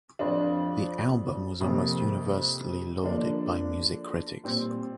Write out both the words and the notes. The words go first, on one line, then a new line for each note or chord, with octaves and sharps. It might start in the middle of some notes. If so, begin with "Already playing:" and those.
The album was almost universally lauded by music critics.
F2 F3 D4 F4
F2 C3 A#3
D3 F3 A#3 D4
A#2 G3 C4